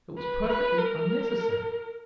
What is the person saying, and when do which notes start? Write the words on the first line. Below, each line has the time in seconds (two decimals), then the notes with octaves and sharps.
It was perfectly unnecessary.
0.17 B4
0.48 B4
0.77 A#4